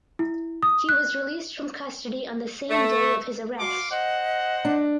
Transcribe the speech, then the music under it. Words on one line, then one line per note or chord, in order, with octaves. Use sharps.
He was released from custody on the same day of his arrest.
E4
D#6
F#6
A3
F#4 F5 C6 D6
C5 D#5 F#5
D4